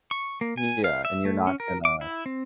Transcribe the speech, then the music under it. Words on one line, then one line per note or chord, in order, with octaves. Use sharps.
Yeah, and you're not gonna
C#6
A#3
G#5
F5
E5
A3
C#4
A#4
D6
E4
C4